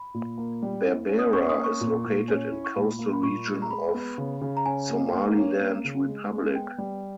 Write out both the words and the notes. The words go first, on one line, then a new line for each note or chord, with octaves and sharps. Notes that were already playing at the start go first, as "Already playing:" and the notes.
Berbera is located in coastal region of Somaliland Republic.
Already playing: B5
A#2
A#3
G3
E4
C#4
D#6
C#4 C#6
D#6
A#3
C#6
A#2
A#2
C#4
E4
C#6
A#2 B5
A#3
B5
A#2 C#6
G#3
A#5
G#3 B5
B3
C#3
C#3
A#5
C#4 G#5
A#3
A#3
C#4
A#3
C#3
G#3
G#3
B3 G5
G3